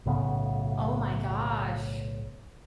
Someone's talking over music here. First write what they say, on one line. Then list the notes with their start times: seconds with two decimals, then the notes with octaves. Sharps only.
Oh my gosh.
0.06 B1 A2 C#3 B3